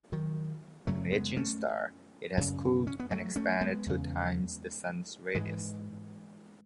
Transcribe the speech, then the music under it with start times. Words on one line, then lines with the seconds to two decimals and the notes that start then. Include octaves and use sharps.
An ageing star, it has cooled and expanded to times the Sun's radius.
0.12 D#3 F#3
0.87 F#2 C#3 F#3 A3
1.12 G#3 B3
1.37 A3 C#4
2.37 F#2 C#3
2.87 C#4
3.00 B3
3.11 F#3 A3
3.36 A3 C#4
3.61 G#3 B3
3.86 E2 C#3
5.35 G#2 E3 G#3